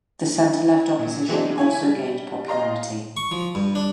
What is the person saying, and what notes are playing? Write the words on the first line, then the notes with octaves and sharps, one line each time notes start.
The center-left opposition also gained popularity.
A#2
E3 F#3 G#3 C4 D4 D#4
E4 C#5 G#5
G3
D#5 F5 A#5 C6
C#6
F3
G2
D4